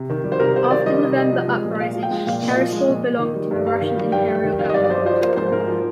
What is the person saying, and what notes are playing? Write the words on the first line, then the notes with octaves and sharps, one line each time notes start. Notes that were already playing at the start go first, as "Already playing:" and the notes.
After November Uprising, Terespol belonged to the Russian Imperial government.
Already playing: C3
D#3
G3
C5
C3 A#4
C3 C5
D#3 D5
G3 D#5
C3
C3
F3
G#3
A#2
A#2 F5
F3
G5
G#3
A#2 F5
A#2
D#5
F3
G#3
A#2
A#2
D#3
G3
G2
G2 F5
D#3
G3
G2 G5
G2
D#3
G3 F5
D#5
G2 D5
D5
G2 C5
F3 C5
A#3 C5
G#2 C5
C5
G#2 A#4
F3